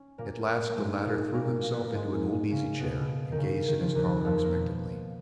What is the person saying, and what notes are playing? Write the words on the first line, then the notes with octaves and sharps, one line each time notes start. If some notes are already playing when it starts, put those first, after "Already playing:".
At last the latter threw himself into an old easy chair and gazed at his caller expectantly.
Already playing: C#4
A#2 A#3
A#3
G#2 G#3
A#2 A#3
A#2 A#3
A#3
B3
A#2 A#3
G#2 G#3
C#3 C#4
B2 B3
B2
D#3
C#3
D#3
F3
D#2 D#3
F2 F3
A#3
B2 B3